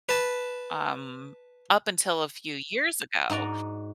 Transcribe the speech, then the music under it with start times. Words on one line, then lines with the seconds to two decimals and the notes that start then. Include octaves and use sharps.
um, up until a few years ago,
0.09 B4 A5
3.30 G#2 D#4 F#4 D5 A#5